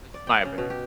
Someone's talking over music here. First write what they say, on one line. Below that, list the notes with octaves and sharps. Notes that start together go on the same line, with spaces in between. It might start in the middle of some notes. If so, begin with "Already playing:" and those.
That's just my opinion.
D5
G5
C#3
B2
G4